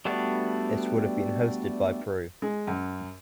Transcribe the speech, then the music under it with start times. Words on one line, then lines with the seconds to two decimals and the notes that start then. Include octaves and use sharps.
It would have been hosted by Peru.
0.05 G3 A3 B3 D4 F#4
2.42 G#3
2.67 F#2